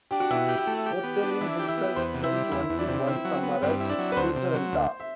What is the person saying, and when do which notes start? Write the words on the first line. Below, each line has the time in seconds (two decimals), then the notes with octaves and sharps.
Kordelin himself spent only one summer at Kultaranta.
0.11 D4 G4
0.20 F#4
0.30 B2 E4
0.48 G4
0.58 E4
0.67 A3
0.86 G4
1.03 B3
1.23 D4
1.41 E3 E4
1.59 G4
1.68 E4
1.77 B3
1.96 E2 C5
2.14 C3
2.24 E4
2.32 G3
2.52 E2 E4
2.69 E2
2.79 D4
2.88 C3
3.07 C4 E4
3.25 F#3
3.34 C4
3.43 B3
3.62 G2 C4
3.80 E4
3.89 D4
3.98 F#3
4.12 B4
4.16 D2 C5
4.36 C3
4.54 F#3
4.73 D2
5.00 E5